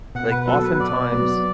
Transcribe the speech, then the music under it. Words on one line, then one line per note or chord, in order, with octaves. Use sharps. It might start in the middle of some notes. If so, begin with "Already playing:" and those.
like, oftentimes,
B2 F#5
B4
B4
F#3 B3 F#4 A4
B4
B2 D5
F#3 B3 F#4